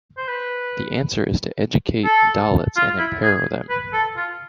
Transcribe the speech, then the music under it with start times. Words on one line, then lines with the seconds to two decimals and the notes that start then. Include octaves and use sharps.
The answer is to educate Dalits and empower them.
0.17 C5
0.28 B4
2.05 A4
2.76 F4
2.99 E4
3.23 G#4
3.70 B4
3.93 A4
4.16 F4